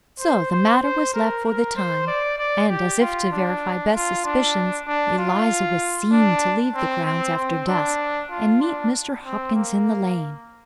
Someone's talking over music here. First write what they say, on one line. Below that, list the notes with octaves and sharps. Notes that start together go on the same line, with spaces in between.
So the matter was left, for the time; and as if to verify Beth's suspicions Eliza was seen to leave the grounds after dusk and meet Mr. Hopkins in the lane.
C5
C5
C5
A#4
A#4
C5
D5
D5
G4
F4
D4
F4
D4
D4
F4
D4
C4
C4
C4
D4
F4
D4
C4
A#3